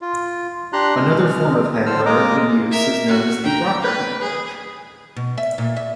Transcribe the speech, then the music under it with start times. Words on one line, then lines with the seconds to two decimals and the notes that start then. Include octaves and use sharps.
Another form of handler in use is known as the rocker handler.
0.01 F4
0.73 D4 G4 A#5 C6 F#6
0.96 B2 G#3 F6
1.86 A2 D3 A4 C5 E6 F6
2.06 G#3 A#3 A#4 D#5 A#5 D6
2.71 A#4 E5
3.08 F#4
3.44 G5 A#5
3.81 B4
4.21 G#4
5.16 B2
5.38 E5
5.58 A#2
5.77 E5